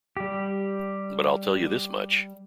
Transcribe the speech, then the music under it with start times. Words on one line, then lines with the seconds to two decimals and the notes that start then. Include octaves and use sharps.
But I'll tell you this much.
0.17 G3 G4